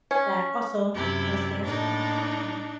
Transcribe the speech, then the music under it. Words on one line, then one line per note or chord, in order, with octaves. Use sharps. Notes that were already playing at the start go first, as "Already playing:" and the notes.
that also lost their spouse, um
C#4
F#2 C3 E4 G4
A2 A#3 D4 D#4